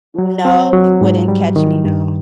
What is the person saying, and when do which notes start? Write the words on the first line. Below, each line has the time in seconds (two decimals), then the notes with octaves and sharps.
No, you wouldn't catch me, no.
0.18 F#3
0.45 C4
0.73 F#3
1.01 G#2
1.28 G3
1.56 D#3
1.85 G2